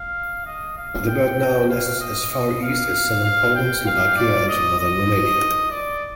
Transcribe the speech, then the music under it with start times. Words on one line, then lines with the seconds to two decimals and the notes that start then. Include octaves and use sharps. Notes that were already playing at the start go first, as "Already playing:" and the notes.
The bird now nests as far east as southern Poland, Slovakia, and northern Romania.
Already playing: F5
0.46 D#5
0.77 F5
1.08 G5
1.70 F5
2.00 D#5
2.31 D#5
2.62 F5
3.24 F5
3.55 G5
3.86 F5
4.17 D5
4.48 D#5
4.79 D#5
5.71 D5